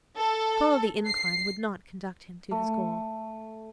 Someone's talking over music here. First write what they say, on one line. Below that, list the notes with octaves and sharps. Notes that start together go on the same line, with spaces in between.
To follow the incline would not conduct him to his goal.
A4
C7
A3